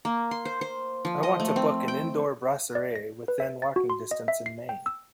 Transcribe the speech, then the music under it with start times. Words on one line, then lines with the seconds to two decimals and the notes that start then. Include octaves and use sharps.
I want to book an indoor brasserie within walking distance in Maine.
0.05 A#3
0.31 C6
0.45 C5
0.61 C5
1.05 F3
1.23 D#5
1.40 A3
1.56 C4
1.88 G5
2.75 D5
2.96 A#6
3.28 B4
3.40 E5
3.62 A6
3.76 F#4
3.90 C6
4.11 D#5
4.28 E5
4.46 C7
4.69 G5
4.86 E6